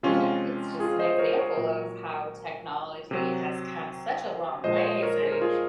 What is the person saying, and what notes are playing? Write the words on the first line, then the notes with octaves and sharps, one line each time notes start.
you know, it's just an example of how technology has come such a long ways and
C3 F3 G#3 C#4 F4
F4 G#4
C5 D#5
C5
A#4 C#5
A#4 C#5
A#2 F#3
C3 F#3
A#2 F3 G#3 C5 D#5
C#5
C5 D#5
A#4 C#5
G#4 C5
A#4
F4 G#4